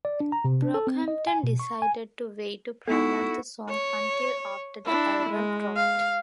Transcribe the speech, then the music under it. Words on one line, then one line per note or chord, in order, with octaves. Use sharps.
Brockhampton decided to wait to promote the song until after the album dropped.
D5
D4
A#5
C3
D4
A4
C4
D#5
G#5
B2
C#6
G#5
B3 D#4 E4 F#4 A4
C#5
D4 E4
G#3
F5